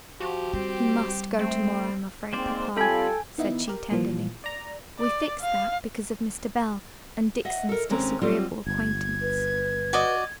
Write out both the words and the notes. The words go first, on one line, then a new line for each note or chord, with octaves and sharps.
'He must go to-morrow, I'm afraid, papa,' said she, tenderly; 'we fixed that, because of Mr. Bell, and Dixon's disagreeable acquaintance.'
F3 F#4 G4
G3 C4
A3 C4
D#3 G#3 A#3 C4 C5 D5
G3 C4 F4 A4 G5 G#5 B5
D#3 B3 D#4 E4
G4 A#4
A#2 E3 F3
D5 A#5
D5
F5
D#5 E5 F#5
A4 A#4
D#2 G#3 C4 C#4 A#5
F#3 G3 C4 F4
G1 G#6
B4
F#4 D5 D#5